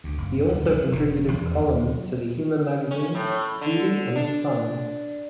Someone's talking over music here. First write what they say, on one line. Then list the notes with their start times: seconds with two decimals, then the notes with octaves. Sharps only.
He also contributed columns to the humour magazines "Judy" and "Fun".
0.04 D2
0.18 F#1
0.34 F#2
0.48 D#2
0.65 C2
0.78 F#3
0.91 E1
1.34 E2
1.57 D#2
1.92 F#3
2.91 C#4
3.15 A2
3.61 D3
4.16 D4